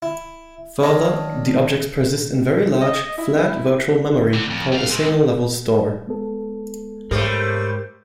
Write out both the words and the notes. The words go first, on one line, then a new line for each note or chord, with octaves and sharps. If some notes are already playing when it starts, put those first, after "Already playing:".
Further, the objects persist in very large, flat virtual memory, called a single-level store.
E4
D#3 D4 C#5 D#5
D#5
E4
D3 C4
F2
G3 F5
G#3 C4
G#3 B3 A4
G#2 G3 A3 A#4 C5 C#5